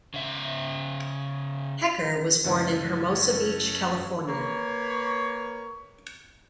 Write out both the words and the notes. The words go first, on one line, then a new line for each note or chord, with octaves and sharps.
Hecker was born in Hermosa Beach, California.
C#3 E5
C#2 F#2 E3 A3 C#4
A#3 B4 C#5